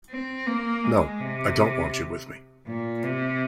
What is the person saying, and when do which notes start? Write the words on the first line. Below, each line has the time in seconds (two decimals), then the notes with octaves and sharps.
No, I don't want you with me.
0.10 C4
0.47 A#3
0.84 G#3
1.20 C3
2.66 A#2
3.03 C3